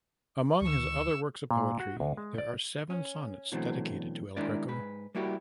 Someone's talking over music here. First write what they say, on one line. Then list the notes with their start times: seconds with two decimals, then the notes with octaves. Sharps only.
Among his other works of poetry there are seven sonnets dedicated to El Greco.
0.61 D2 D#3 C#6 E6
1.51 A#2
1.80 F#4
2.00 D2
2.17 G#3
2.38 D5
2.90 C#4
3.52 B2 D3 E3 F#3 A3 C4
4.36 D#3 G#3 D4 E4 A#4 D5
4.68 G#2 B4
5.15 G3 A#3 E4 F#4 G4